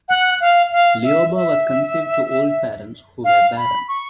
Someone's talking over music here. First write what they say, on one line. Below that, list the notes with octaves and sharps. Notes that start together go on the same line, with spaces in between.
Leoba was conceived to old parents who were barren.
F#5
F5
F5
E5
E5
F5
B5
C#6